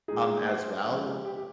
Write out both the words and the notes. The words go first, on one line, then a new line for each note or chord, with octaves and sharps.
um, as well.
A#2 G#3 D#4 G#4
C5
C3 F3 G#3 C#4
G4
G4
G4